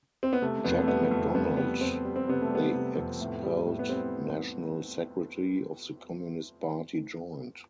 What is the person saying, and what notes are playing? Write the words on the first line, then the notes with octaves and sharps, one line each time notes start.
Jack MacDonald, the expelled National Secretary of the Communist Party, joined.
C4
B3
C3 A3
F2 B3
A3
G3 B3
F2 A3
F2 B3
G3 B3
F2 C4
G3
C4
C3 B3
A3
G3 B3
C3
F2
A2
G3
A2
B3
G3 C4